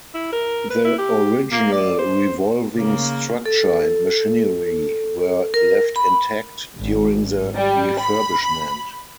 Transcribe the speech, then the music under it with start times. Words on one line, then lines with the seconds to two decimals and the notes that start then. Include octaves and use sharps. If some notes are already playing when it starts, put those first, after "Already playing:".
The original revolving structure and machinery were left intact during the refurbishment.
0.14 E4
0.33 A#4
0.70 B4
0.85 E4
0.98 G4
1.52 A#3
1.72 D5
1.98 C5
2.74 C#3 A#3
3.46 A4
5.54 A#4
5.96 B5
6.78 G#1
7.55 G3
7.99 B5